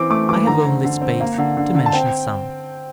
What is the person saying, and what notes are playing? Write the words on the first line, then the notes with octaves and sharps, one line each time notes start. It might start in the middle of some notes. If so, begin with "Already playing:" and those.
I have only space to mention some.
Already playing: E3 C4 D6
A3 D6
E3 D6
D3 A#5
C4
D3
C4
A#3
D3
D3
D3
A5
C4 G5